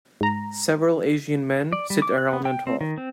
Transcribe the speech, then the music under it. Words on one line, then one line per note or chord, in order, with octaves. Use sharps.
Several asian men sit around and talk.
G#2 A#5
D5
G3
D6
F#6
B3
G5
C4
D#3
C4